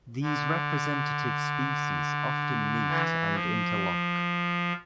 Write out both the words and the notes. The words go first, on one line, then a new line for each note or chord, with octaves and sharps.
These representative species often meet and interlock.
D3
E3
F3